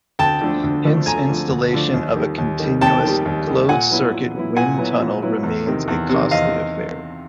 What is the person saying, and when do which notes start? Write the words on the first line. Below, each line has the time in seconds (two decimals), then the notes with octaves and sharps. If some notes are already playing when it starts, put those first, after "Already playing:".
Hence installation of a continuous, closed circuit wind tunnel remains a costly affair.
0.19 D2 G5 A5
0.41 D3 F3 A3 D4
0.63 D2
0.85 D3 F3 A3 D4
1.06 D2 G#5 A#5
1.28 D3 F3 A3 D4
1.50 D2
1.73 D3 F3 A3 D4
1.94 D#2
2.16 D#3 G3
2.38 D#2
2.59 D#3 G3
2.81 D#2 G5 A5
3.03 D#3 G3
3.25 D#2
3.47 D#3 G3
3.69 A#2 F#5 G#5
3.91 F#3 B3 E4
4.13 A#2
4.34 F#3 B3 E4
4.57 A#2 F#5 G#5
4.78 F#3 B3 E4
5.00 A#2
5.22 F#3 B3 E4
5.43 E2
5.66 C3 D#3
5.88 E2
6.09 C3 D#3
6.31 E2 D#5 F5